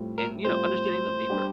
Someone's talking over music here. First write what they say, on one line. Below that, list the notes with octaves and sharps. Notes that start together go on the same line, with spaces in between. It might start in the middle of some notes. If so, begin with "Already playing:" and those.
And, you know, understanding them deeper.
Already playing: A2 G3 C4 F4
A#4
A2 G3 C4 F4 C5
G3 D4 G4